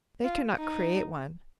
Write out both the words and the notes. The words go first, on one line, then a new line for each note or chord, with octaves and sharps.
They cannot create one.
F4
D#4